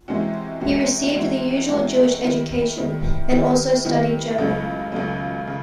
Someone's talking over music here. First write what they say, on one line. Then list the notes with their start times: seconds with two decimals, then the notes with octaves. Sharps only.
He received the usual Jewish education, and also studied German.
0.08 C3 E3 G#3 C#4 F#4
0.61 C3 E3 G#3 C#4 F#4
1.15 C3 E3 G#3 C#4 F#4
1.68 C3 E3 G#3 C#4 F#4
2.23 D#3 G3 B3 E4
2.76 D#3 G3 B3 E4
3.30 D#3 G3 B3 E4
3.85 D#3 G3 B3 E4
4.38 C#2 C#3 F#3 A3 C#4
4.92 C#2 C#3 F#3 A3 C#4
5.47 C#3